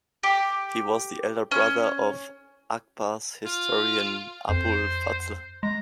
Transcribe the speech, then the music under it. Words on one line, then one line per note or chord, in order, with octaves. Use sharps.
He was the elder brother of Akbar's historian Abul Fazl.
G4
C#4
F4
F2 C5
G#3 A#5